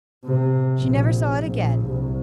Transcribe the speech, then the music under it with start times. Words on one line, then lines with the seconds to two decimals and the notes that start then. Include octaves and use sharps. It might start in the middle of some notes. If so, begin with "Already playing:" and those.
She never saw it again.
0.25 C3
0.79 A#1
1.45 A#1
1.86 C2